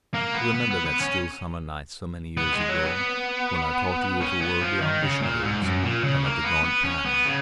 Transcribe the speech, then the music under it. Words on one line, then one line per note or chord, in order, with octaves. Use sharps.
You remember that still summer night so many years ago, when I talked to you of the world beyond the shadows, and of the god Pan.
A#3
B3
B3
B3
B3
C#4
B3
G#3
F#3
B3
C#4
B3
F3
D#3
C#3
A#2
G#2
F#2
A#2
C#3
A#3
B3
B3
C#4
B3
C#3